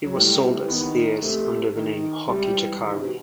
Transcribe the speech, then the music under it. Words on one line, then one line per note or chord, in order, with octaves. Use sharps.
It was sold at Sears under the name Hockey Jockari.
F#3
A2 G3
C3
E3
D#3 B3
C3 A3
D#3
C3 G3
E3
D#3
C3
B2